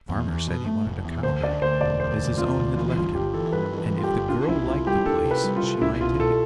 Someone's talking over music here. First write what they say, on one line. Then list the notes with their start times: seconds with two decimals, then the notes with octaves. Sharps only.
The farmer said he wanted a cowherd, as his own had left him, and if the girl liked the place she might take it.
0.09 E2
0.28 E2
0.48 B2
0.66 A3
0.85 F1
1.05 E2
1.23 D2 C5
1.43 D2 D5
1.62 D2 C5
1.81 E1 D5
2.00 D2 C5
2.19 E1
2.38 C3 F4
2.58 D2
2.76 E3 F4
2.96 G2 F4
3.14 G1 G4
3.34 E3 A4
3.53 G2 B4
3.72 E3
3.78 B4
3.91 G2
3.98 F4
4.03 G4
4.10 G1
4.29 D4 F4
4.48 C2 E4
4.67 C3 F4
4.87 G3 G4
5.05 D4 A4
5.24 C3
5.31 B4
5.44 G3
5.56 F4
5.63 C3
5.82 C2 E4
6.01 B2 F4
6.19 B2 A4